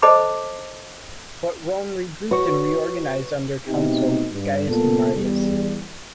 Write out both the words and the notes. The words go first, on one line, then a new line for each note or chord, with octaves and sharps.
But Rome regrouped and reorganized under Consul Gaius Marius.
A4 C5 D#5 A5 B5 D6
F#4 B4 C#5 C#6
B2 A3 C4 D#4 E4 G4
G2
C2 A#2 B3 A4
E2 G3